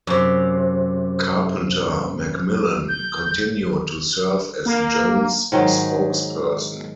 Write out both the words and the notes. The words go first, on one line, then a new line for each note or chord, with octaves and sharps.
Carpenter-McMillan continued to serve as Jones' spokesperson.
F#2 C3
G6
A#3
G#2 D#3 F#3 G#3